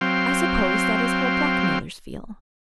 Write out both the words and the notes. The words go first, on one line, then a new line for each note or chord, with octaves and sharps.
"I suppose that is how blackmailers feel."
F#3 C4 F5 G5 C6